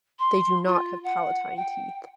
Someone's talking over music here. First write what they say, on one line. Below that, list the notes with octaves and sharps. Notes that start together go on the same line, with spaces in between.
They do not have palatine teeth.
C6
F4
F#5
G5